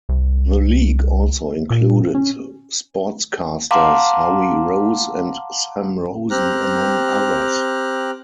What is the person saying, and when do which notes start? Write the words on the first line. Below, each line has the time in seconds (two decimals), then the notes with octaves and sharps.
The league also included sportscasters Howie Rose and Sam Rosen, among others.
0.09 C2
1.70 A#2
2.15 C#4
3.71 F5 F#5 A5 A#5 C6 D6
6.31 C4 G4 A#5 F6 F#6